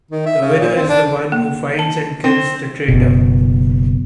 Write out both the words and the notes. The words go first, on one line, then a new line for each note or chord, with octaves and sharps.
The winner is the one who finds and kills the traitor.
D#3
E5
C#3
A#2
C4
D4
A#3
A5
C4
F#1 B2